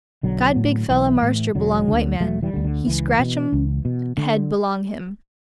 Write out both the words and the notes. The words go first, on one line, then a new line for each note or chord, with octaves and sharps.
God big fella marster belong white man, He scratch ’m head belong Him.
B1 D3 F#3
A2
B1 E3
A2
E1 D3 F#3
D2 D3
E1 F#3 A3
E3 G3
D3
D2
D3
C#2 E3
B2
C#2
B2
D3